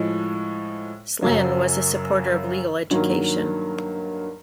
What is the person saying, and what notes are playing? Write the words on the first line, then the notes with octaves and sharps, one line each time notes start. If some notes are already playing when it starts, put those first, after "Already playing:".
Slynn was a supporter of legal education.
Already playing: A2 F3 G#3
F#2 C#3 F#3
G2 D#3 F#3 A#3